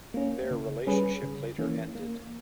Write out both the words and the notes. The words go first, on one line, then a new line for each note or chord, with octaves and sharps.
Their relationship later ended.
A#3 C#4
C#3
G3 C#4 G#4 B4
C#3
E3 A#3 C#4
A#3